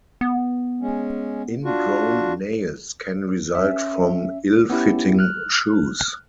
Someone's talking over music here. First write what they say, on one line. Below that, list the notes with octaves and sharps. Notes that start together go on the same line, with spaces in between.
Ingrown nails can result from ill-fitting shoes.
B3
G#3 C#4
D4 F4 F#4
C#4 E5
B3 C#4 E4 G4
F6 F#6